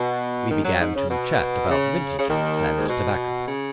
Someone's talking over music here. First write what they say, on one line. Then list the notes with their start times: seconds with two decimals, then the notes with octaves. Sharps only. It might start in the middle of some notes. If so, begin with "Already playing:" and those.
We began to chat about vintages and tobacco.
Already playing: B2
0.50 D#2 D#3
0.65 F#2 F#3
0.80 G#2
0.96 C#3
1.10 B2
1.70 C#3
2.19 C#3
2.29 D#2 D#3
2.77 G#2
2.89 B2
3.48 C#3